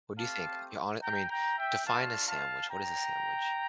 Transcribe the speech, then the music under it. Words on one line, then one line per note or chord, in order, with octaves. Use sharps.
What do you think? Your hone I mean, define a sandwich, what is a sandwich?
A3 C4 G4 F5 A5
G5 A#5
G5 A#5
E5 G5
A3 D4 F4 F5 A5
F5 A5
G5 A#5